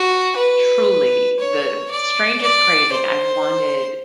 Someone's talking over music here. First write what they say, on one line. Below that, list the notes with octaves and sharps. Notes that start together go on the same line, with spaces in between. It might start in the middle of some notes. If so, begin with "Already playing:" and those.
truly the strangest craving, I wanted
Already playing: F#4
B4
C#5
D5
D5
C5